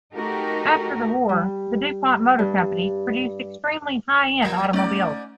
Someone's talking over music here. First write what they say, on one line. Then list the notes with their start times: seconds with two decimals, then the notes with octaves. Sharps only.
After the war, the Du Pont Motor Company produced extremely high-end automobiles.
0.14 A3 D#4 F#4 G4 A4 A#4
1.29 G3
2.39 G2
4.42 F3 A#3
4.73 G#2 A3 C#4 D5